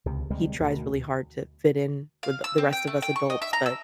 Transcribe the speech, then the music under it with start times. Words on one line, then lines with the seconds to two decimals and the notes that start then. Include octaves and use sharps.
he tries really hard to fit in with the the rest of us adults, but
0.06 C#2 C3
0.30 D2 C3 G3 G#3
0.60 D2 B2 D#3
2.23 F5
2.44 E6
2.58 C4
2.73 G5
2.87 A3
3.02 G5
3.16 C#6
3.30 D#5
3.42 E5
3.53 A#5
3.66 E6